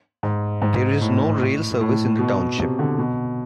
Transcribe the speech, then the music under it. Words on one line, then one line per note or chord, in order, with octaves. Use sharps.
There is no rail service in the township.
G#2
G#2
A2
A2
B2
C3
D3
B2